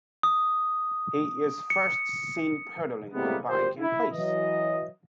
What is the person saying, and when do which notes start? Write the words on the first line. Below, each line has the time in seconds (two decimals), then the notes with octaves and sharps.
He is first seen pedaling the bike in place.
0.23 D#6
1.70 C#7
3.14 A2 C3 G3 G#3 A#3 B3
3.48 G#1 A#2 G4 C5
3.79 E4
4.13 E3 F#3 D#5